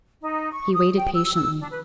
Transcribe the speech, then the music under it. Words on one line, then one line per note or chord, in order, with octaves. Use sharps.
He waited patiently.
D#4
C#6
D#6
G5
E6
E6
D4
B4